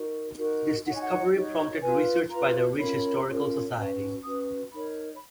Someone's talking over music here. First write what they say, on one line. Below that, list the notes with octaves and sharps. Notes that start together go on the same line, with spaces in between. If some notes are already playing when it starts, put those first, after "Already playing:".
This discovery prompted research by the Ridge Historical Society.
Already playing: D#4 F#4 A#4
D#4 F#4 A#4
D#4 F#4 C#5 F#5
G#5
F#5
D#4 F#4 C#5
F4 B4 G#5
F4 B4 A#5
C#4 F4 A#4 C#5 B5
C#4 F4 A#4 C#5
C#4 F#4 B4
C#4 F#4 B4 D#6
D#4 A#4 C#5 B5
B5